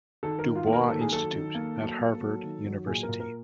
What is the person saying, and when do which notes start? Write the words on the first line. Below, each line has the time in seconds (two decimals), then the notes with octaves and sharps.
Du Bois Institute at Harvard University.
0.23 D#3 A4
0.39 A#4
0.44 D#3
0.56 F4
0.67 A#3
0.72 A#4
0.88 D#3 A4
1.01 G#4
1.10 F#3 A4
1.33 D#3
1.55 A#3
1.77 F#3
1.99 A#3
2.21 F#3
2.43 D#3
2.65 F#3
2.86 A#2 G#4
3.03 A#4
3.08 A#2
3.20 A#4